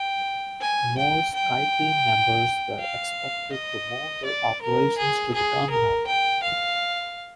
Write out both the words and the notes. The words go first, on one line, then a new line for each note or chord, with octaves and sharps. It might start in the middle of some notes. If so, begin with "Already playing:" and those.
More SkyTeam members were expected to move their operations to the terminal.
Already playing: G5
G#5
G5
G5
F5
D#5
D5
A#4
G#4
G#4
A#4
G5
F5